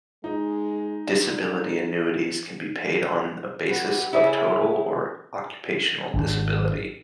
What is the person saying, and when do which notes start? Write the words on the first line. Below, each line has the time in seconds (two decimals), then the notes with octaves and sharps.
Disability annuities can be paid on the basis of total or occupational disability.
0.24 G#3 D#4
1.28 D4
3.69 F#4 G4 B4
4.13 C#3 E4 G#4 E5
6.14 G#1 C#4 D4